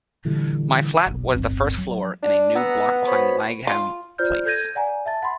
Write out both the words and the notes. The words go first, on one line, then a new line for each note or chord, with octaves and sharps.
My flat was the first floor in a new block behind Langham Place.
A#2 D3 E3 G3
F#1 B1
D1 G1 C4
F#3
D4
B3 F#5 A#5 E6
F#4 A#4 C5 C#5 B5
F4
F4 C5 D5 F6 G6
A4 G6 G#6 A#6 D#7
D5 F#5 G#5 A#5
E5 A5 A6
F#5 B5 C6